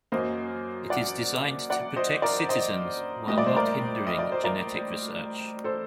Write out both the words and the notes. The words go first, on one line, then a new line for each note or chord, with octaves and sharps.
It is designed to protect citizens while not hindering genetic research.
F#2 F#3 A#3 C5 D#5
D5 F#5
D5 F#5
C5 D#5
A#4 D5
C5 D#5
A2 G3 A#3 D#5
D5
C5
A#4 D5
D#5
D5
C5
A#4 D5
A4 C5